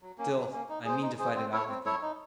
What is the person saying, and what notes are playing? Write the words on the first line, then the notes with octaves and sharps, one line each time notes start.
Still I mean to fight it out with you.
F#3
A#3 C#4
F#3
A#3 C#4
D#4
G#4 C5
D#4
G#4 C5
C4
E4 A4 C#5
C4
E4 A4 C#5
D#4